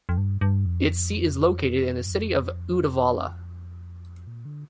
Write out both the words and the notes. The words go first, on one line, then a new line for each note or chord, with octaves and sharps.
Its seat is located in the city of Uddevalla.
F2
G2
G2
F2
G2
F2
A#2
D3